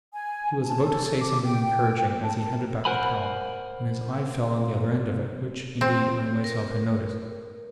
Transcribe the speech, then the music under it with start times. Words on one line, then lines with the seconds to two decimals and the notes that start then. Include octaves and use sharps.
He was about to say something encouraging, as he handed back the towel, when his eye fell on the other end of it, which, indeed, I myself had noticed.
0.13 G#5
0.64 A5
0.82 A4
1.19 D6
1.44 G5
2.22 A5
2.45 A#4
2.85 A#4 C5 F#5 G#5 B5
5.81 C4
6.44 A#4